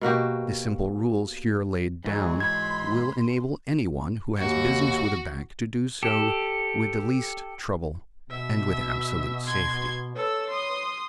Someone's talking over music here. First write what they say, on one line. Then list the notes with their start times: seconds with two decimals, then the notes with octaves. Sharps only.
The simple rules here laid down will enable anyone who has business with a bank to do so with the least trouble and with absolute safety.
0.01 B2 A#3 F#4 G4
2.05 G#2 E3 F#3 G#4
2.40 B5 C6 G#6
4.37 D#2 F#4
6.03 G4 A4
8.30 B2 E5
9.46 C6 G#6
10.15 A4 B4 C#5 E6
10.49 C6 D#6